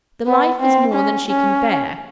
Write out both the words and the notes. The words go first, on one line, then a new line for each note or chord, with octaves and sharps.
The life is more than she can bear.
B3
C4
C#4
C#4